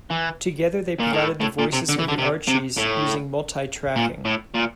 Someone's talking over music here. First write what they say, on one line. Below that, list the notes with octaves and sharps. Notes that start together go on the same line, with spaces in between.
Together they provided the voices of the Archies using multitracking.
E3
A#2
A2
A2
A#2
C3
D3
E3
D3
C3
C3
A2
A#2
A2
A#2